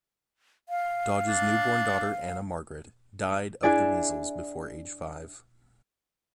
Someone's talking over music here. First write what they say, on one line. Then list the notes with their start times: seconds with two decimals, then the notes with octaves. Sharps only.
Dodge's newborn daughter Anna Margaret died of the measles before age five.
0.69 F5
1.28 D4
3.63 D4 E4 G#4 D5